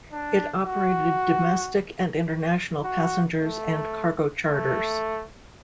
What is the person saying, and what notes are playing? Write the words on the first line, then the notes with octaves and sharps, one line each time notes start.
It operated domestic and international passenger and cargo charters.
D4
F#4
F#4
A3
A3